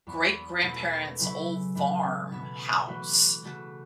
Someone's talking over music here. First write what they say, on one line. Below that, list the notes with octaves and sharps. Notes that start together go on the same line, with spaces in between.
great grandparents' old farm house,
E2 E3 B3
B2 A3 E4 A4
C#3 F#3 C#4 E4 A4
A2 E3 A3
B2 B3 A4
E3 A3 F#4
C#3 A3 F#4 A4